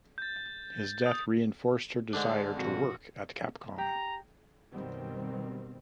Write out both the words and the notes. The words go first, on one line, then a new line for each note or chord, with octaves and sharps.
His death reinforced her desire to work at Capcom.
G6 A6
D#6 G6
G#2 D3 D4
F2 A#2 F#4
G4 A#5
F#2 B2 D#3 G3 B3 C4